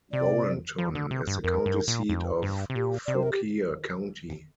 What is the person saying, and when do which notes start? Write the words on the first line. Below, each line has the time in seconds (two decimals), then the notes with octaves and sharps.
Warrenton is the county seat of Fauquier County.
0.12 C3 D5
0.78 F3
0.95 D3
1.11 C3
1.27 G2
1.43 F2 A#4
1.66 G2
1.88 A#2
2.09 F2
2.42 G2
2.70 C3
2.75 A#2 G4
3.06 C3 D5
3.14 C5
3.23 A#4
3.32 G4